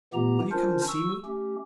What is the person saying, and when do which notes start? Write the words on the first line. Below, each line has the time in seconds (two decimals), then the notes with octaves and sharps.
Will you come and see me?
0.14 A#2 E3 A3 B3 G4 A#5
0.52 C#4 D4 F4 A#4 C5
0.88 C#6 E6
1.25 A3 C#4 G4